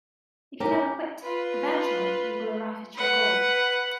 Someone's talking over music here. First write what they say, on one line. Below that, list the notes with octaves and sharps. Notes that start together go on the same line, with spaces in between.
If you never quit, eventually you will arrive at your goal.
C#4 G4 A#4
F4 B4
B4 F#5